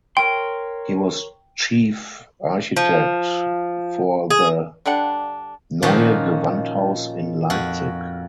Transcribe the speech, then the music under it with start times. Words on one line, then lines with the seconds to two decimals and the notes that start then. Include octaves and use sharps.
He was chief architect for the Neue Gewandhaus in Leipzig.
0.17 A#4 C#5 G5 C6
2.77 F3
4.31 G#4
4.86 D3 G3 D4 F#5
5.82 A#2 D#3 F3 C#4 F#4
7.50 F2 F#4